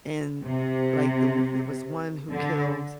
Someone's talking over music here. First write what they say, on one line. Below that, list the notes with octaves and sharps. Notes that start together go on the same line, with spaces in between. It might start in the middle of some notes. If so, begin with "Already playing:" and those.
and like, the o there was one who killed
C3
D3